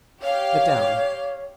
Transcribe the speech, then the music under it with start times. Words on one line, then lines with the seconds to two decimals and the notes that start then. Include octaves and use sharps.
"Get down."
0.22 G4 C#5 F5